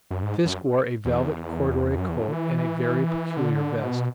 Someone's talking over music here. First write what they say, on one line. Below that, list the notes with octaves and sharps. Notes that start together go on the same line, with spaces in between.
Fisk wore a velvet corduroy coat and a very peculiar vest.
F#2
G#2
F#2
E2
F#2
E2
F#2
D3
E3
D3
B2